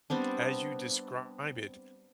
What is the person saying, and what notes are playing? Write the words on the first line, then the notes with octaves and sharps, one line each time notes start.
as you describe it,
G3 B3 C4 D4